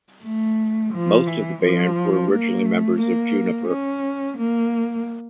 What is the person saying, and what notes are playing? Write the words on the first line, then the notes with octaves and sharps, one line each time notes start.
Most of the band were originally members of Juniper.
A3
F3
E3
F3
A#3
A3
A#3
C#4
A#3